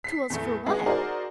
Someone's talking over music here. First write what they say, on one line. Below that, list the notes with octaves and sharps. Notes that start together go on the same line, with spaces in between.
"Tools for what?"
B6 C7
E2 A2 A3
G#3 B3 G#4
D#4 F#4 G#4 A#4 C5 D5